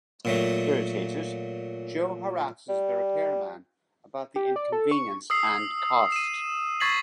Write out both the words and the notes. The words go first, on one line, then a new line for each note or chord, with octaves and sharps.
Irritated, Joe harasses the repairman about the inconvenience and cost.
A#2 F#3 A3
G3
G4
D5
A4
C#6
D#6 E6 C7
D#7 E7
C#6 G#6 A6 B6 C7 F#7